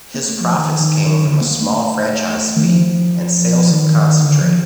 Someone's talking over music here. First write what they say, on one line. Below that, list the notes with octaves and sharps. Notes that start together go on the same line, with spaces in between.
His profits came from a small franchise fee and sales of concentrate.
A#3
A3
F3
D#3
D#3
D#3
D3
A#3
A3
D#3
F3
D#3
D3
F3